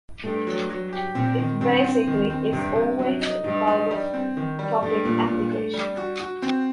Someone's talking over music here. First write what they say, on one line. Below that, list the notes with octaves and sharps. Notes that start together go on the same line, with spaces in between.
It basically is always about the topic application.
G2 A3
F#3
F#3
G4
A#2 C4
D#3
G2 C4
C4
D#3
C4
G2 C3
C3
F#3
D#4
G2 D#4
D#4
G3
C4
D#3
G3
G2 A3
A#2
A#2
A3
G3
F#4
F#4
C4